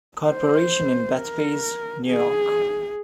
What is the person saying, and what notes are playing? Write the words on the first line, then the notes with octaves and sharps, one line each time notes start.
Corporation in Bethpage, New York.
C5
A#4
G#4